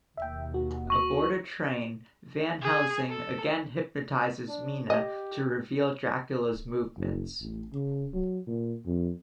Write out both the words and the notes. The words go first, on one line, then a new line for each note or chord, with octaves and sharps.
Aboard a train, Van Helsing again hypnotizes Mina to reveal Dracula's movements.
D#2 B2 E5 G5
F#4
C#6 F#7
G#4
A4
D4
G4 D#5
F#1
A1
C#3
F#3
A#2
F2